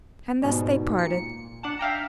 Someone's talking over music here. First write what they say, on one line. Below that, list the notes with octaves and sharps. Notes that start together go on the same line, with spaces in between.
And thus they parted.
G#2 B2 G3
A#2 C#7
D4 F#5 A5
E5 F5 G5 A#5